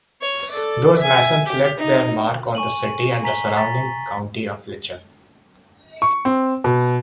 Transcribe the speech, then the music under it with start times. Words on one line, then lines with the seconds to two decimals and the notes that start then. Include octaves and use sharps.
Those masons left their mark on the city and the surrounding county of Letcher.
0.21 C#5
0.51 A4 D5
0.98 E5 G#5
1.46 G4
1.78 D#4
2.55 G#5 C#6 D#7 F#7
3.23 G#5 A#5 B6 F#7 G7
3.56 A#5 A6 B6
6.02 C#6
6.25 C4
6.64 B2